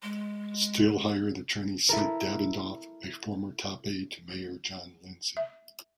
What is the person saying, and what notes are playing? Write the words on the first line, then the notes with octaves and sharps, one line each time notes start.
Steel hired attorney Sid Davidoff, a former top aide to Mayor John Lindsay.
G#3
E4 A4 A#4
E5